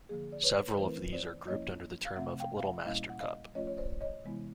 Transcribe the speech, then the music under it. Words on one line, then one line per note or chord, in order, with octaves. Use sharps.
Several of these are grouped under the term of Little-Master cup.
D3 F3 A#3 G#4
D5
B4 C#5
B4
E3 A3 C4 E4 A#4 C5
C5 D5
F3 A#3 C#4 E4 C#5 D#5
F5
C3 F3 A3 C4 E5 F#5
F5 G5
F5
E5 F#5
A#2 G3 A#3 C#4 E4 D#5 F5
F#5
D#5 F5
F3 A3 C#4 F4 C#5 D#5
C#5
C5 D5
C#5 D#5
C3 E3 G#3 B3 E4